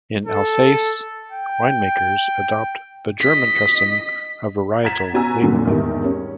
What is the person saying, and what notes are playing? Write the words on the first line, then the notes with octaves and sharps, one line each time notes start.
In Alsace, winemakers adopt the German custom of varietal labeling.
A4
G5
D#5 B6
F#5 A#5 G#6 A6 B6 E7
B2 C#4 F#4 G#5 A#5 E6
A#2 D3 F#3
E2 G#2 D#3 G3
G3 C#4